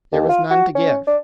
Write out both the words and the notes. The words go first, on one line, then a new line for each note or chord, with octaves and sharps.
There was none to give.
D#2
F4
F#4
C#4
D4